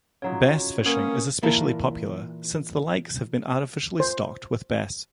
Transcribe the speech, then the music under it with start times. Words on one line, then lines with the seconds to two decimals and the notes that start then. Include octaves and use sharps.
Bass fishing is especially popular, since the lakes have been artificially stocked with bass.
0.22 C#3 F#3 D#4 F4 F#4 C#5
0.86 A#3 B3 C#4 A#4 C#5 D#6
1.42 A#2 E3 A#3 E4 A#4 A5
4.00 C5